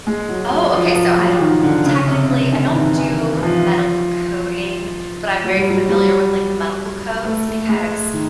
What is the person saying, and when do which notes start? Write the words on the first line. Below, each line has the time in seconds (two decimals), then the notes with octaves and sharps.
Oh, okay so, I don't technically, I don't do medical coding, but I'm very familiar with, like, the medical codes because
0.07 G#3
0.29 F#3
0.51 F#3
0.73 F3
0.96 F3
1.18 F#3
1.40 D#3
1.63 D3
1.86 C#3
2.08 C3
2.31 C#3
2.53 D3
2.67 E3
2.75 D#3
2.98 E3
3.37 E3
3.43 F3
5.44 F#3
5.57 G3
5.69 F#3
5.89 G3
7.24 A3
7.48 A3
7.69 G#3
8.14 D#3